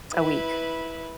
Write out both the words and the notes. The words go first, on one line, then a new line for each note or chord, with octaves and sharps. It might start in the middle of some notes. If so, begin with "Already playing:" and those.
A week.
E4 B4